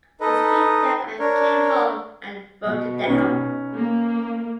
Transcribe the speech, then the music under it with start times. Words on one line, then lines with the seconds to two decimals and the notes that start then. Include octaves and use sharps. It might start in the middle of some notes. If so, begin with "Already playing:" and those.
He skied down and came home and wrote it down...
0.20 D#4 A4 B4 D#5
1.19 D4 A#4 C#5
2.66 B2
3.05 C#4 D#4 B4
3.74 A#3